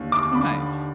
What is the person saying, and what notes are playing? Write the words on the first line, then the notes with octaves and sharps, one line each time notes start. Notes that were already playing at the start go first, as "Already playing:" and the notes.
Oh nice.
Already playing: D#2 D3
D6
D3 B5